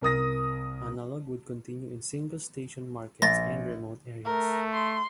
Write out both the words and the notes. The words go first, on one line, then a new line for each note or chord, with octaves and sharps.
Analogue would continue in single-station markets and remote areas.
C2 A#4 D#6 A#6
A#1 A6 A#6
A3 A#4
C6